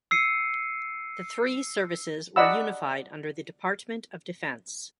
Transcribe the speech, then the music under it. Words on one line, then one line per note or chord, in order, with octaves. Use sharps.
The three services were unified under the Department of Defence.
E6 C7 C#7 D#7
D5 D#5 F#5 B5 E6